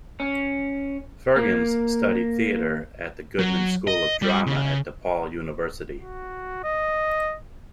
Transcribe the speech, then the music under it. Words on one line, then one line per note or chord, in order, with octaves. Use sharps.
Firgens studied theatre at the Goodman School of Drama at DePaul University.
C#4
A#3
F#3
D#5
G3
C#3
F#4
D#5